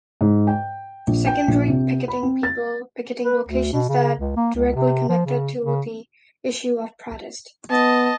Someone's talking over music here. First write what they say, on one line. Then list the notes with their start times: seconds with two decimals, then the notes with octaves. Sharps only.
Secondary picketing people picketing locations that directly connected to the issue of protest.
0.21 G#2
0.47 G5
1.07 A#1
1.27 G5
1.48 A#1
1.68 C3
2.08 B5
2.23 C4
2.43 A6
3.25 B4
3.49 D2
3.73 B2
3.89 C#3
4.20 C#2
4.37 A#3
4.55 C#2
4.75 C3
5.09 F3
5.26 C#3
5.65 C#3
7.70 B3 D#5 A5